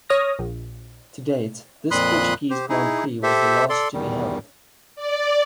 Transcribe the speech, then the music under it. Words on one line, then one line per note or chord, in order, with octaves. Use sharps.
To date, this Portuguese Grand Prix was the last to be held.
C#5 D#6 F6 A#6
A#1
F2 A#2 B5 C6 D#6 F#6
G4 C5
D#4 E4 G#4
G4 A4 C5 E5
A4 D5 C6
E2 D#3 G3
D5